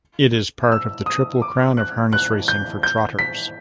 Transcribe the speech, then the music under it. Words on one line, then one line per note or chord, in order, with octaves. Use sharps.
It is part of the Triple Crown of Harness Racing for Trotters.
E6
D#6
D6
F#6
F#6
G6
G6
B6